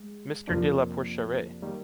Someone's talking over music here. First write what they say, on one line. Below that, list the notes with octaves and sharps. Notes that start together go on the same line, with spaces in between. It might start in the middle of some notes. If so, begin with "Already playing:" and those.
Mister de la Porcheraie.
Already playing: G#3
F2 C3 F3 A#3 D4
D#3 G3 A#3